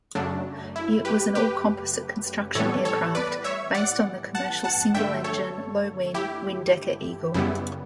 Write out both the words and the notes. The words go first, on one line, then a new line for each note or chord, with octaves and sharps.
It was an all-composite construction aircraft, based on the commercial single-engine, low-wing Windecker Eagle.
F#2 C#3 F#3 A3 D4
E4
G4 B4
G4 B4
A2 E3 G3 B3 A4 C#5
A4 C#5
B4 D5
C#5 E5
D5 F#5
F#5 A5
F#5 A5
G2 D3 A3 E5 G5
A4 C#5
E4 G4
F#2 C#3 G3 B3 E4